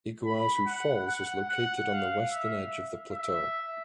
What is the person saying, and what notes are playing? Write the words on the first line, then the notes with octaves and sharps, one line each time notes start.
Iguazu Falls is located on the western edge of the plateau.
B5
F#5
F#5
F#5
F5
E5
E5